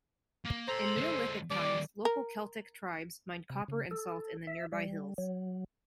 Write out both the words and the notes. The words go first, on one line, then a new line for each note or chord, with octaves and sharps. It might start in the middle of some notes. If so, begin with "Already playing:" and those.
In Neolithic times local Celtic tribes mined copper and salt in the nearby hills.
A#3
A4 C5 A#5 C6
D3 G#3
D#3 G3 D5
A#4
C3
C#3
A4
E5
G3
F#3